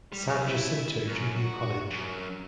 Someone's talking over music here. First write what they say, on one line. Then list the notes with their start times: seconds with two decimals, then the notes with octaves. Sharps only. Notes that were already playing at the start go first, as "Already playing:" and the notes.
San Jacinto Junior College.
0.12 G3
0.28 F#2
0.47 E4
1.07 F#2
1.36 F#4
1.91 F#2